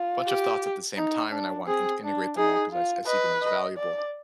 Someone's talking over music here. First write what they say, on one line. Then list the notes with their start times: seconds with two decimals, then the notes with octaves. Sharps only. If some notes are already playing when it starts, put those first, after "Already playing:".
bunch of thoughts at the same time, and I want to inte integrate them all because I I see them as valuable.
Already playing: F4
0.27 G4
0.97 D#4
1.32 D4
1.67 C4 G#4
2.03 D4
2.37 D#4 G#4
2.72 F4
3.07 B4 D#5
3.42 D#5
3.77 D5